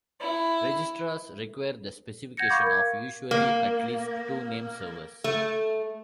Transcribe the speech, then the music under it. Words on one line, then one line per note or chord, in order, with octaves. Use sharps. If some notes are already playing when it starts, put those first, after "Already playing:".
Registrars require the specification of usually at least two name servers.
E4
F#5 G6 G#6 A#6 C#7
F5 B5 C#6 D6 G6
A#4 G#6
F5
A#3
A3